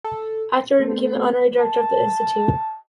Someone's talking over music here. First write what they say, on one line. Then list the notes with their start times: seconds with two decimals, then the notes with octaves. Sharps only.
Afterward he became the honorary director of the institute.
0.04 A4
0.80 A3 B3 C4 A4 C5
1.60 A5